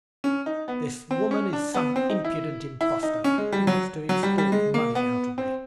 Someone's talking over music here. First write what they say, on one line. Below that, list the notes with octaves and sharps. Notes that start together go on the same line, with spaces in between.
This woman is some impudent impostor, who wants to extort money out of me.
C#4
D#4
B3
C4
C#4
D4
B3
C4
D#4
E4
E4
D#4
C#4
G#3
G3
F#3
F#3
G3
G3
G#3
A#3
B3
C4